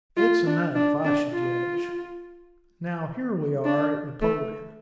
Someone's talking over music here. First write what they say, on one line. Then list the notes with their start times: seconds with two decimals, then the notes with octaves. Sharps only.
It's enough, I should judge. Now here we are at Napoleon.
0.17 F4
0.46 D4
0.75 D4
1.04 D4
1.32 F4
3.65 D4
4.22 A3